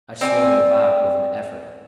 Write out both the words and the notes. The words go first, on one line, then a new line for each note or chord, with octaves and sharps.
I swung about with an effort.
C4 D5 F5 G#5